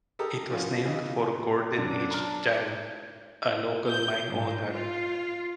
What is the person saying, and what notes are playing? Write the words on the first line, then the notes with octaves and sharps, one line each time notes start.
It was named for Gordon H. Gile, a local mine owner.
G4 A4 A#4 A#5 D#6
F3 B3 C#4 F4
C#3 E3 D#4 F4
F#2 D4
A#5 F6
G6
G#2
F4